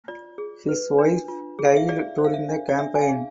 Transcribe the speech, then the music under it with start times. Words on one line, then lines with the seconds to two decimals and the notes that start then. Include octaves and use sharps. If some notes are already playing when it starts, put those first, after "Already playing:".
His wife died during the campaign.
0.08 F4 D5
0.38 G#4
0.69 B4
0.98 D4
1.28 F4
1.59 G#4
1.65 F5
1.77 E5
1.88 G#4 D5
2.18 C5
2.24 F5
2.34 E5
2.49 D4
2.69 D5
2.78 D4 E5
2.95 G#5
3.01 F5
3.09 G#4